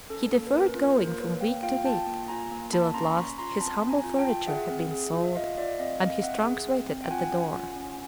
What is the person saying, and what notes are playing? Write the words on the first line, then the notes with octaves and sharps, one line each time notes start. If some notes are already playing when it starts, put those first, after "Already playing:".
He deferred going from week to week, till at last his humble furniture had been sold, and his trunks waited at the door.
C#4 A4
A#3
B4
C#4 A#4
F4
A#3 A#4 C5
A#3 B4 C#5
A#3 F5 G5
F4 F5 G5
F4 G5 A5
A#3
F4 G#5 A#5
A#3
A#3 A5 B5
C#4 A#5 C6
C#4 B5 C#6
F4 A#5 C6
C6
C4 A5 B5
C4
G#5 A#5
F4
G5 A5
F4
G#4 E5 F#5
C4
G#4
F4
E5
F4 D#5 F5
F4 D5 E5
C4 D#5 F5
C4 D#5 F5
C4 E5 F#5
G#4
C4
C4
G5
F4 F#5 G#5
C#4
F4
C#4